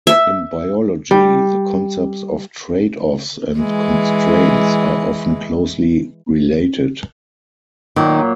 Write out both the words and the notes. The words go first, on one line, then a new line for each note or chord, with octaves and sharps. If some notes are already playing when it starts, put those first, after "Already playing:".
In biology, the concepts of tradeoffs and constraints are often closely related.
E5
G3
E3 G#3
A#2 D#3 F#3